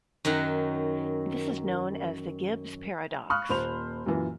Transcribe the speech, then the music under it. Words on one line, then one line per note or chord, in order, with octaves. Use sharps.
This is known as the Gibbs paradox.
F#2 D#3 F#3 F#5
F5 B5 C#6 D#6 F6 F#6
D#1 A#2 C5 B5 F7
F#2 A#2 E3